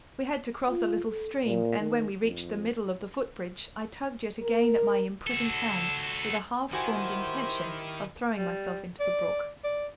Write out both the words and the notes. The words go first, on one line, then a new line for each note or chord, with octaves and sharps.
We had to cross a little stream, and when we reached the middle of the foot-bridge, I tugged yet again at my imprisoned hand, with a half-formed intention of throwing myself into the brook.
F4
A4
A#2
D#3
F2
A#4
F#4 A4
D#3 E4 F#4 G4 C5 G#5
G3
D5
D5